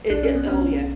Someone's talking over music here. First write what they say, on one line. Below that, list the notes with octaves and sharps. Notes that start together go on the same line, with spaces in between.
It it Oh, yeah.
B1 D4
C#4
B3
B1 C#4